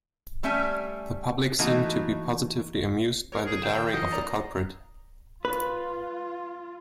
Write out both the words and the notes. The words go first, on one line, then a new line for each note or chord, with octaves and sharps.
The public seemed to be positively amused by the daring of the culprit.
G3 A3 C#4 E5 G#5
E3 A3 A#3 D#4 F#4
A#4 C#5
G#4
D#2 A#4 F5 G5 E7
E3 A#4 D#5 F#5 C7
A#3 D4 B4 D5 A#5
F4 B4